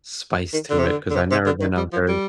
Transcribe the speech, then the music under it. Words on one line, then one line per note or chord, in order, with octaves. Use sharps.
spice to it 'cause I've never been a very
D#3
D3
C3
D3
D3
C3
C3
D3
D#3
G3
F3
G3